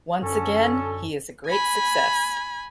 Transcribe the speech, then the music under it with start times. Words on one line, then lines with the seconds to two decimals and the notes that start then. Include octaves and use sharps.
Once again, he is a great success.
0.23 F#2 D3 F#3 C#4 A4
1.48 G#5 B5